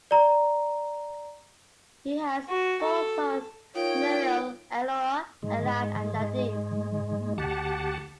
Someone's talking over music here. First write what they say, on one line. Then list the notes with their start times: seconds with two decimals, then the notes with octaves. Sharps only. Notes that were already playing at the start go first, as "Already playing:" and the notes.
He has four sons, Nuriel, Elior, Ilan and Nadiv.
0.11 D5 A#5
2.49 F#4
2.82 A4
3.75 D#4 F4 A#4 C#5 F5 G5
5.43 G#2 G#3
7.38 D2 G4 F#5 A5